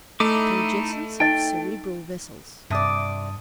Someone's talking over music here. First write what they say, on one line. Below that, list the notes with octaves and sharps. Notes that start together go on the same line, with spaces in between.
Turgescence of cerebral vessels.
A3 D#4 E4 D6
D#4 D#5 G5
G2 C3 D5 A5 D#6